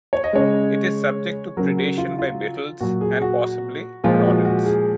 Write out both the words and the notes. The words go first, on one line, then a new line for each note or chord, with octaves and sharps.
It is subject to predation by beetles and possibly rodents.
C#5
D#5
C#3 G#3 C#5
C#3 F#3 A#4
F#4
F4
F4
A#2 F#3 F#4
G#4
F#4
A#2 F3 G#3 F4
F#4
F#4
G#4